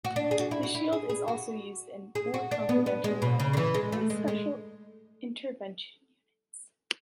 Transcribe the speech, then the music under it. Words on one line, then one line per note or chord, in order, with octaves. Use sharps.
The shield is also used in a more confidential way by special intervention units.
F#4
D4
G#4
F#4
E4
F#4
E4
G#4
G#4
F#4
G#4
F#4
D4
B3
B3
G#3
B2
C#3
D3
E3
G#3
A3
G#3
G#3